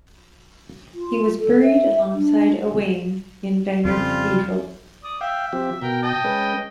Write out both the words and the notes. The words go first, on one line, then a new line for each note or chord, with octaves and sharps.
He was buried alongside Owain in Bangor Cathedral.
F4
A4
E5
D4
F2 C#3 F3 G3 F4
D5 D#6
E5 F5 G5
F3 C4 G4
B2 A#4 G5
D#5 G5 A5
G#3 C#4 B4